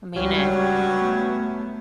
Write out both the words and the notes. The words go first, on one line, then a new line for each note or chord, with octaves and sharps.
I mean it
C#2 G2 F#3 G3 C#4
A3 B3